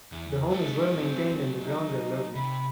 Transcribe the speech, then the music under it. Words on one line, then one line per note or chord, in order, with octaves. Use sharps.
The home is well maintained and the grounds are lovely.
E2
F#3 G#3 A3 A4
C4
D#4
C3 B5